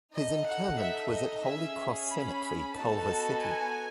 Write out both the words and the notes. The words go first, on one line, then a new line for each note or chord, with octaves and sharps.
His interment was at Holy Cross Cemetery, Culver City.
D#4 A4 D#5
F#5
E5
D#5
C#4 G#4 E5
B5
B3 D#4 F#4 A4 A5
G#5